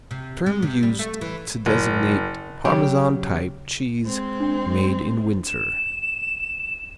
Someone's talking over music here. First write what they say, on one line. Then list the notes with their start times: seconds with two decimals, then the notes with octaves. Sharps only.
Term used to designate Parmesan-type cheese made in winter.
0.11 C3
0.46 G#3
0.62 C3
0.83 G3
0.99 A3
1.21 E3
1.66 F#1
2.65 C#3 F#3 G4
4.02 G#3 C4
4.40 D4
5.47 E7